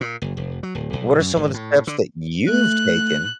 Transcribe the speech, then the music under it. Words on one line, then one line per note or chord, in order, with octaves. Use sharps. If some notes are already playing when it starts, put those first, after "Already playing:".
What are some of the steps that you've taken?
A#2
F#1
F1
F#3
D1
B1
F#2
G#1
A2
D3
A3 F#6